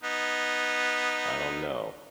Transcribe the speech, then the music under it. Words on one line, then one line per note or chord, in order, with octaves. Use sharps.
I don't know,
B3 D#4